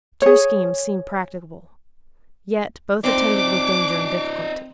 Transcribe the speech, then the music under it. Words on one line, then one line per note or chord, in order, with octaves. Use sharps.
Two schemes seemed practicable, yet both attended with danger and difficulty.
G#4 C#5
C4 D#4 C5 D5 D6